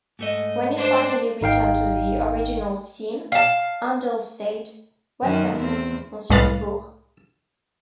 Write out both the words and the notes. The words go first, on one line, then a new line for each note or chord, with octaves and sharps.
When he finally returned to the original theme, Handel said: "Welcome home, Monsieur Dubourg".
G#2 A3 D#5
D4 C5
G#1 D#4 F5 G5
F5 A5
F#2 D#3
E2 C4
C2 A2 G#3 B4 F5 A6